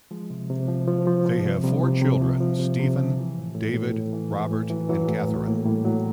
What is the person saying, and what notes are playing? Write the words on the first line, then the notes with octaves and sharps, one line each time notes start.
They have four children Stephen, David, Robert and Catherine.
F3 G#3
C3
C3
F3
F3
F3
F3
C3
C3 G3
C3
C3
F3
F3
C3
C3
F3
E3
A2
A2
A2
A2
E3
E3
A2
E3 F#3
E3 F#3
A2 F#3
A2
A2 A#3
A2 G3
A2 F#3